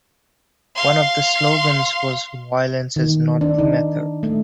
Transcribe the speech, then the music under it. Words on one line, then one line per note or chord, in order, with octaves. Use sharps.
One of the slogans was "Violence is not the method".
F5 C6
D#3
D4
D#4
A3